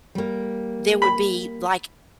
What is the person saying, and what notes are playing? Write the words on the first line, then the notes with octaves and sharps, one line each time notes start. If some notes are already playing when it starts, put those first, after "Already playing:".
there would be, like,
G3 A#3
B5